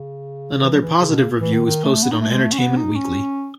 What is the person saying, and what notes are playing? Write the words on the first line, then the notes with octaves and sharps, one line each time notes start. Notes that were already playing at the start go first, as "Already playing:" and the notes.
Another positive review was posted on "Entertainment Weekly".
Already playing: C#3
C#3
E3
F#3
E3
C#3
B2
C#3
E3
D#3
D#3
A3
B3
D#4
A3
G#3
A3
C#4
B3
D#4
C#4